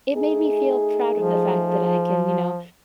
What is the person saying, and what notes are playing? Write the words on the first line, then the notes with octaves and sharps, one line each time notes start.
it made me feel proud of the fact that I can, you know,
A3 D#4 G#4
F3